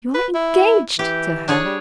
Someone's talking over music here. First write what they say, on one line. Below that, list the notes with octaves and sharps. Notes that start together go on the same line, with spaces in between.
"You are engaged to her!"
B4
E4
E3 G4
D4 G#4 C#5
G3